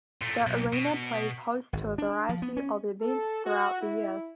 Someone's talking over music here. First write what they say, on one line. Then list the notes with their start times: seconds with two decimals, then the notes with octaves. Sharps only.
The arena plays host to a variety of events throughout the year.
0.21 A#2 A3
0.47 B1
0.73 B2
1.73 G#1
1.98 D4
2.29 F3
2.42 B3
2.57 C#4
3.01 A4
3.45 F#4
3.81 E4